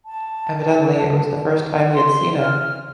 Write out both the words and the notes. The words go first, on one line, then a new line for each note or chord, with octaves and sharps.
Evidently it was the first time he had seen it.
A5
C6
F6